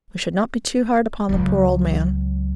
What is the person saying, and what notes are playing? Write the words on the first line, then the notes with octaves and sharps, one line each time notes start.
We should not be too hard upon the poor old man.
C#2 F#3